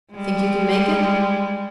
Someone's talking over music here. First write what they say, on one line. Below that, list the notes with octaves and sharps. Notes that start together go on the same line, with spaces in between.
"Think you can make it?"
G3 G#3